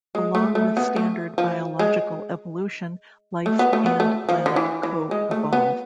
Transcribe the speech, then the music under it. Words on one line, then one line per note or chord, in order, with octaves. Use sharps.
Along with standard biological evolution, life and planet co-evolve.
G#3
A3
A3
B3
A3
F3
G#3
A3
B3
A3
B3
A3
F3
D3
E3
E3
G#3
A3
B3